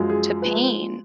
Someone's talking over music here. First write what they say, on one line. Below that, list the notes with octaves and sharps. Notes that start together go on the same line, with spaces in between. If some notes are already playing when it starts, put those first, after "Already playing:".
to pain.
Already playing: F#2 F3 G#3
G#4
F3 G#3 B4